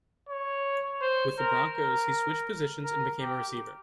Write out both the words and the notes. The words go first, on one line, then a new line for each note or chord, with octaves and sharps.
With the Broncos, he switched positions and became a receiver.
C#5
C5
A#4
A#4
A#4
G4